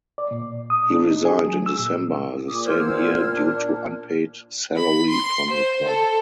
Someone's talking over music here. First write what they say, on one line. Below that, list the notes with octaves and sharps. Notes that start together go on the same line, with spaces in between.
He resigned in December the same year due to unpaid salary from the club.
D5
A#2
D#6
D4
D#4
G#4
F#3
E6
A#2
A#2 G#4 D6 D#6
E2 C5 E6 F6 G#6
D4
B5
C6
C5
A4